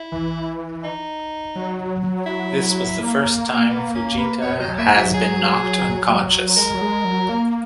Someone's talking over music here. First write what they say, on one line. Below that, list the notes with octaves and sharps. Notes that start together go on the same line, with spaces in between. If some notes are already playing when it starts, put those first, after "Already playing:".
This was the first time Fujita has been knocked unconscious.
Already playing: E4
E3
D#4
F#3
E4
A#3
B3
C#4
B4
B3 C#5
F#3 D#5
A#3 E5
F#3 E5
G#4
G#3 A#4
F#3
G#3
F#3
A#3